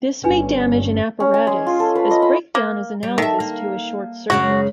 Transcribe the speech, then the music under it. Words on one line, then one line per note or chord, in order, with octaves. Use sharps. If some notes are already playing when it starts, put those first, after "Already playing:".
This may damage an apparatus, as breakdown is analogous to a short circuit.
G1 G2 C#4 D4 B4 G#5
C#4
G#5
G#3
F4
A4
B4
D#5
B5
A#3
G3
D#3 A4 E5
A#3
F#2 C#3 G#3 F#4